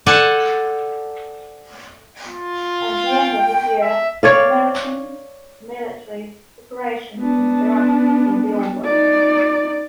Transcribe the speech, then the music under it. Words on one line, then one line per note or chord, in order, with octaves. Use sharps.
At the end of this year, the American military operation in Iraq will be over.
A4 C5 D5 F#5 G#5 A5
F4
G5
E5
C#5 D5 F5
B3 D4
D#4 D5